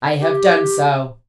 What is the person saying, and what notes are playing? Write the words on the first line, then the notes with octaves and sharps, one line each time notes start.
I have done so.
G4